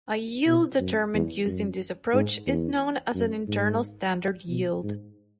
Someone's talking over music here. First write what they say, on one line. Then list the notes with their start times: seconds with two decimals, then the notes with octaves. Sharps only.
A yield determined using this approach is known as an "internal standard yield".
0.46 B2
0.79 F#2
1.14 E2
1.46 F#2
2.13 G#2
2.47 E2
3.14 F#2
3.48 G#2
4.49 B2
4.83 G#2